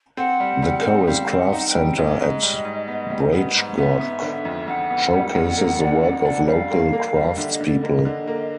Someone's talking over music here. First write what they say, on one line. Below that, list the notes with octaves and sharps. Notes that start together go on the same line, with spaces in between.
The Corris Craft Centre at Braichgoch showcases the work of local craftspeople.
C4 F#5
G3
G3
C4
G3 F5
C4
F#5
D#4
F#5
G5
G3
G#2 D#5
G#2
G3
G#2
B3
G3
B3
G#2
B3 E5
B3
D3
F2
F2 F#5
B3
G3
F2
A#3
D4
D4
D4
G3 F5
A#3
A#3
G3
D3 E5
D#5
D3 D5
A#3 D#5
D3
A#3